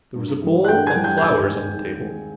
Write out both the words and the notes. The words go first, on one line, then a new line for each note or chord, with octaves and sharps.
There was a bowl of flowers on the table.
G2
E3 G3
F#6
G2 G5 G6
G#5 G#6
E3 G3
G5 G6
G6
D#2 G#5 G#6
D#3 G#3 C4
D#2
D#3 G#3 C4